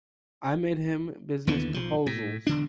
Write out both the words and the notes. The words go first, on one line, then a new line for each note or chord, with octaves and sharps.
I made him business proposals.
D#2 D3 E3 B3
B1 F3
A2
E1 D3 D4